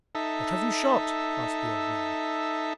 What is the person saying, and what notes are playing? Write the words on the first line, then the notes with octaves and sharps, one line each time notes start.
'What have you shot?' asked the old man.
D#4 A4 E5